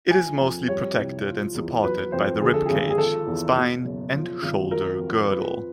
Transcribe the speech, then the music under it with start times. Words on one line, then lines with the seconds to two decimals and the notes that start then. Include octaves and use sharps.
It is mostly protected and supported by the rib cage, spine, and shoulder girdle.
0.10 F3 G#5
0.40 F2
0.68 G3 C#5
0.98 C2
1.26 F3
1.54 E2
1.83 F#3 B4
2.12 F2 C5
2.42 D3 G#4
2.54 A4
2.66 G#1 G#4
2.90 G#4
2.98 F3 A4
3.27 E2
3.56 B2
3.85 F#1
4.14 F3
4.42 G#1
4.71 F#3 A#4
4.99 F2
5.28 F3 B4